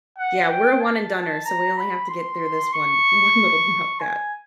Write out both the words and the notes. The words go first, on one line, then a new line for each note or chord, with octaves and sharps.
Yeah, we're a one and doner, so we only have to get through this one one little rough patch.
F#5
G5
A5
A#5
B5
C6
C#6
G#5